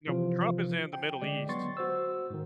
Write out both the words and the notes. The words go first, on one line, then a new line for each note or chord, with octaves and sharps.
You know, Trump is in the Middle East.
C3 E3 F3 F4
G5
D3 G#3 D5
F#3 B3 C6 C#6 A6
F#4 C5 E6
G#2 D#3